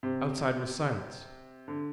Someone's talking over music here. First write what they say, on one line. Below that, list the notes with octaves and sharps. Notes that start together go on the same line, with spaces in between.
Outside was silence.
C3
D3